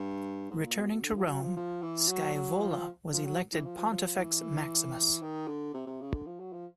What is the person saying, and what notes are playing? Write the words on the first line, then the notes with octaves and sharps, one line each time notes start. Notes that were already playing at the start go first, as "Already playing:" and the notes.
Returning to Rome, Scaevola was elected pontifex maximus.
Already playing: G2
G#2
A#2
B2
B2
D3
F3
F#3
F3
F3
E3
F#3
F#3
F3
F3
F#3
E3
F3
F3
F3
F3
E3
D#3
D3
C3
C3
C#3
D3
F3
F#3
F3